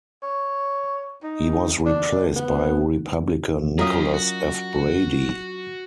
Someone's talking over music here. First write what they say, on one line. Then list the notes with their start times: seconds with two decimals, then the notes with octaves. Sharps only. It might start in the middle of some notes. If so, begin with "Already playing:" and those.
He was replaced by Republican Nicholas F. Brady.
0.23 C#5
1.23 D#4
1.86 D4
2.36 B3
3.79 F#3 C#4 F4 G4 G#4 A#4 D#5 D#6
4.13 F#4